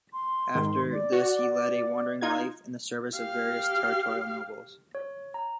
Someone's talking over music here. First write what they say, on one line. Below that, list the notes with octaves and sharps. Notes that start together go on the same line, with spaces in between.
After this he led a wandering life in the service of various territorial nobles.
C6
G#2 D#3
D5
F#4
D#4 F4 G#6
G4 F5
C#5
A#5